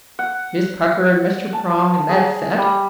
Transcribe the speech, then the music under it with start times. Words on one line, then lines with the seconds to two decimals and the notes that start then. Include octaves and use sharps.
"Miss Pucker, and Mr. Prong, and that set."
0.19 F#5
1.53 A5
2.09 G#4
2.58 G3